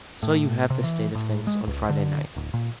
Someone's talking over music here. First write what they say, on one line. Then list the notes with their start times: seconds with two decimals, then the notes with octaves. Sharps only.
So you have the state of things on Friday night.
0.23 A2
0.70 C3
0.83 E3
1.15 A2
1.47 G#3
1.67 C#2
1.89 D3
2.36 D1
2.54 A#2